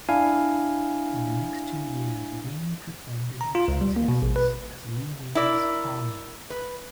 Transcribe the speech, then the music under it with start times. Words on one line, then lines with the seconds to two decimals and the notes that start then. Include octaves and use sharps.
For the next two years, Ving performed in Austin, Texas as Lee Ving's Army.
0.09 D4 E4 F5 G#5
3.41 A#5
3.55 F4
3.68 C#2
3.81 G3
3.96 A#3
4.08 B2
4.22 A1
4.36 B4
5.35 E4 A#4 D5
6.50 B4